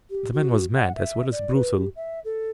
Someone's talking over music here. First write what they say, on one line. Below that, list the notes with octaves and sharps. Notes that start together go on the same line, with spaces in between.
"The man was mad as well as brutal."
G4
F#4
F#5
E5
D5
B4
G4
E5
A4